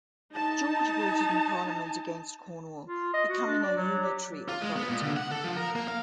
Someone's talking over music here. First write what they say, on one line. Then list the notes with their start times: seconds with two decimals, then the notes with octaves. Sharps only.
George voted in Parliament against Cornwall becoming a Unitary Authority.
0.32 D#4 A5
2.86 F4
3.14 D#5
3.29 F#4
3.46 D4
3.63 D5
3.76 F#3
4.04 G4
4.48 F4
4.62 G#3
4.76 B3
4.89 A#2
5.03 D3
5.17 F#5
5.31 A4
5.44 F3
5.56 A#4
5.75 A#3
5.88 F5